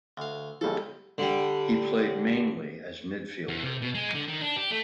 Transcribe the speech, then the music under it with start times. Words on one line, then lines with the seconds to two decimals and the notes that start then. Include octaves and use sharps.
He played mainly as midfielder.
0.17 D2 F5
0.61 B1 F3 G3 G#3 A4
1.18 D3 G3
3.48 E2
3.63 C3
3.82 B2
3.95 G#3
4.14 D3
4.28 D#3
4.41 D4
4.56 G4
4.71 A3